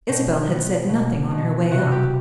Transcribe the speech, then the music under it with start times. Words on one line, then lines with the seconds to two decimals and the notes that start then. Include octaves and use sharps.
Isabel had said nothing on her way up.
0.09 B2 G4
0.49 B3
0.89 B2
1.31 B2
1.71 C3 F#4
1.92 G4